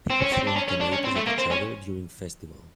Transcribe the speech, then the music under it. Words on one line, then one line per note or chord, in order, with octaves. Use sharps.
People throwing tomatoes at each other during festival.
C4
C#4
C4
D4
C#4
C#4
D4
C#4
C4
A3
A#3
C4
C#4